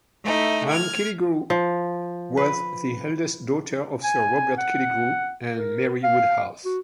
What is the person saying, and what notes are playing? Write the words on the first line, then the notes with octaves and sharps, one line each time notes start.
Anne Killigrew was the eldest daughter of Sir Robert Killigrew and Mary Woodhouse.
A3 D#4 E4
F6 G#6
F3
B4
G#5
F#5
A#4
F5
F#4